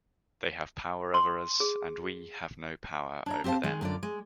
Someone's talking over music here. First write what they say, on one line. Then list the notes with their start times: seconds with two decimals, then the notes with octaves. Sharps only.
They have power over us, and we have no power over them.
1.14 C6
1.60 G#4
3.26 D4 C#5 A#5
3.44 C4 G4 C5 F5 A5
3.63 D#3 G#3
3.81 F#2 D3 F4 D5
4.03 G#3